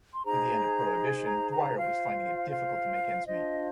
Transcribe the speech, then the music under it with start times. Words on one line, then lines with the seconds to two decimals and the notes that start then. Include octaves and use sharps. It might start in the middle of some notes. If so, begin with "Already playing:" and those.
With the end of Prohibition, Dwyer was finding it difficult to make ends meet.
0.13 C6
0.25 D#4 G#4 C5 A#5
1.26 A#5
1.51 A#5
1.76 F4 C5 F5
2.51 F5
3.27 D4 F4 C5 D#5